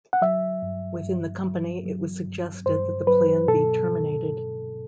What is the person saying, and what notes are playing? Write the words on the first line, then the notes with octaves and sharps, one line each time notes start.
Within the company, it was suggested that the plan be terminated.
F#5
F#3 E5
G2
G2
F#3
F#3
G2
G2 C5
F#3 B4
B2 A4